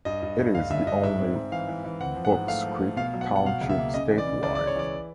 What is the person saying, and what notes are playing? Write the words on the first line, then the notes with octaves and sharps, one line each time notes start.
It is the only Bokescreek Township statewide.
G2 D#5
G2
G2
D3 F5
G2 E5
G2 D#5
G#2 E5
C4
G#2
E3 F5
E3
E3
C4 F#5
F3
F#5
G#2
A3 F5
F3
A3
B2 F5
F#3
F#5
F#3
F#5
B2 F5
C#2
E5
A#3
C#3 D#5
E3
D5
C#3
C#2 D5
D5
C#2
C#5
E3 D5